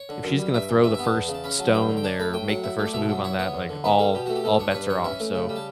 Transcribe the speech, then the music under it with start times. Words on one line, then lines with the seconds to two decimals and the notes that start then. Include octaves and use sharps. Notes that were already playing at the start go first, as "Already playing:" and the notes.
if she's gonna throw the first stone there, make the first move on that, like, all all bets are off, so,
Already playing: C#5
0.09 D3
0.24 F#2
0.38 G3
0.54 G2 E5
0.69 E3
0.84 G2 E5
0.94 E5
0.99 B3
1.04 A5
1.14 E2
1.28 C#3
1.34 A5
1.44 C#4 B5
1.59 F#3 A5
1.73 G2 G5
1.89 D3
1.97 G5
2.03 D4 A5
2.20 A3 B5
2.34 A2 G5
2.48 F#3 F#5
2.64 E4
2.79 A3
2.86 D5
2.94 B2 E5
3.09 F#3
3.24 E4 C#5
3.39 B3 C#5
3.54 E2
3.69 D3
3.84 B3 B4
3.99 G3 A4
4.14 B2 G4
4.26 A3 F#4
4.35 G4
4.44 B2 A4
4.59 D4 C#5
4.70 C#5
4.74 G2 B4
4.89 E3 C#5
5.04 C#4 E5
5.20 A3
5.35 C#3
5.49 G3
5.56 A5